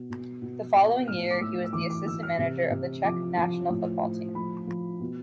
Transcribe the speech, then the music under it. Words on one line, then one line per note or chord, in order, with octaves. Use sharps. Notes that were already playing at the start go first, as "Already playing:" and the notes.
The following year, he was the assistant manager of the Czech National Football Team.
Already playing: B2
B2
B2
B2
A2 F6
D6
A2 E6
E6
E3 D6
D6
E3 E6
F6
C3
C3
F3 D6
F3
A2
A2
F3 B5
F3
B2